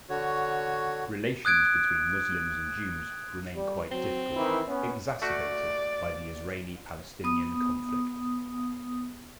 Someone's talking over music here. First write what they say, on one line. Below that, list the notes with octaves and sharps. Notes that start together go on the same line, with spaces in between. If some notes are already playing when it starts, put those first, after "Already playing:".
Relations between Muslims and Jews remain quite difficult, exacerbated by the Israeli-Palestinian conflict.
D3 F#4 C#5
D#6 F#6 G#6 D7
G3
F#3 C4
D#3 E3 E4
B3 C#4
A3 F#4 D5
B3 D#6